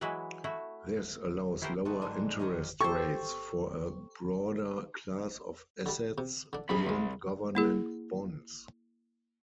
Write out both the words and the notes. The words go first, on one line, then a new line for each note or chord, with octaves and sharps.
This allows lower interest rates for a broader class of assets beyond government bonds.
E3 F#3 G#3 E4 F#4 B4
A3 E4 F#4
E4 F#4 G4 A4 A#4 C5
B3 C4 D#4 E4 F#4 A4
G#2 D3 G#3 D4
D#3 F#3 G#3 G4 A#4 C#5
G4 A4 C5 C#6
D3 G3
C3
D3 D4
C2 F2 G3 G#4 B5
D2 G#3
A#3 E4 G#4